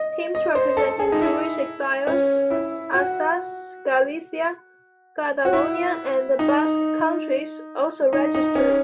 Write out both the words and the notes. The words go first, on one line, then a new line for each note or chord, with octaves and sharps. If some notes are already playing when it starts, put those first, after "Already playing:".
Teams representing Jewish exiles, Alsace, Galicia, Catalonia and the Basque Country also registered.
Already playing: D#5
D#5
C5
A4
G#4
D#4
E4
C#4
E4
F#4
F#4
E4
D#4
D#4
D#4
C#4